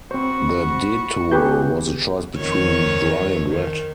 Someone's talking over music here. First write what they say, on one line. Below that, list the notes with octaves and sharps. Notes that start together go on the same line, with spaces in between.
The Detour was a choice between Dry and Wet.
C4 F#4 C5 B5 C#6
B3 G4 G#4 B4 G6
F2 D#3 C#5
D#3